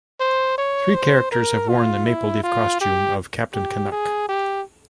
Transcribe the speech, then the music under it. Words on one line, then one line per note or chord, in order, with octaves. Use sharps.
Three characters have worn the maple leaf costume of Captain Canuck.
C5
C#5
C5
A#4
F4
E4
F4
G4
G4
G#4
G4